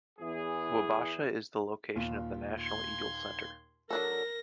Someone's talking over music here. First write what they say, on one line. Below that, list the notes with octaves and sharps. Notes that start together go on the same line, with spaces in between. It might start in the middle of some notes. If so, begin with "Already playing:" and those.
Wabasha is the location of the National Eagle Center.
E2 E3 G#4
D#2 A#2 F4
C6 G#6
F#3 D4 A4 A#4 A#6